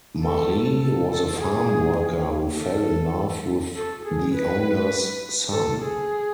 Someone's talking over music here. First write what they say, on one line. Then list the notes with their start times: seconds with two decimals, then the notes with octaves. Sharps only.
Mari was a farm worker who fell in love with the owner's son.
0.22 A4
0.81 A4
1.11 A4
1.40 G#4
2.58 A4
3.75 A4
4.05 G#4
4.35 B4
5.52 A4
5.82 G#4